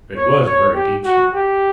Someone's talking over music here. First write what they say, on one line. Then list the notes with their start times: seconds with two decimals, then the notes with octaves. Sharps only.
It was a very deep snow.
0.16 C#5
0.46 C#5
0.75 G4
1.04 F#4
1.34 G4